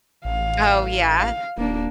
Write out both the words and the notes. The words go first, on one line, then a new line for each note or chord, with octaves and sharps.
Oh, yeah.
A1 F5
F5
D#1 A#3 D4